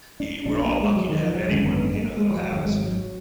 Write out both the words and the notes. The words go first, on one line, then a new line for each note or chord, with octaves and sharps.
y we're all lucky to have anyone, you know, that'll have us.
D4
B1 B2 D4
A#3
G#3
F#3
D#3
F3
F#3
G#1 F#2 D3 G#3
B3
B3
G#3
A#3
G#3
F3
F#3
G#1 G#2 F#3
G#3
F#3
F#3